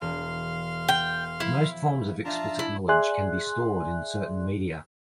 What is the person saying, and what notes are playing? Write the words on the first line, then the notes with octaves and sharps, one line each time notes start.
Most forms of explicit knowledge can be stored in certain media.
E1 F5 C6 F6
G5
F3 E4
D4 F4 E5 A5 A#5
E4
G#4 D5 E5 G#5 C6 F#6